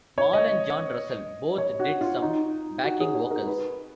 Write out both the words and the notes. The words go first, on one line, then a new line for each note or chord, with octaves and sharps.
Mal and John Russell both did some backing vocals.
C#5
D#5
C#5
F#4
F4
D#4
F#4
G#4
G#4
A#4
B4